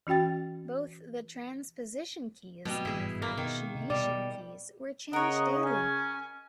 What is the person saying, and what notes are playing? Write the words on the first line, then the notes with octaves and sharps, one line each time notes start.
Both the transposition keys and the fractionation keys were changed daily.
E3 C#4 F#4 G5 A6
B2 F#3 G3 A3 C4
G#1 G2 E3 E4 G#4
A#3
B2 D#3
C3
B2 G3 D5
C#3 A#4 C#5 D#5 F#5
C#4 G#5